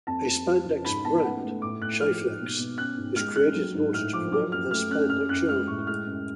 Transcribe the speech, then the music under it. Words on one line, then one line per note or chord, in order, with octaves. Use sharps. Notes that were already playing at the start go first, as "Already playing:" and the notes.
A spandex brand, Sheiflex, is created in order to promote their spandex yarn.
F2 A5
F2
F3
C#3
G#2 B5
B3 A5
C#4 F#5
A3
A2 D6
A2 F#6
F3 F6
G#2
B2
B2
C#4 F#6
G#2
G#3 F6
C#4 F#6
F#3
G#2
A2 F6
F3 D6
F#3 D6
F#2 F6
A3 F6
C#4 F#6
F#2 F6
F#2 F#6
G#3 F6
A2 C#6
G#3 F6
F#2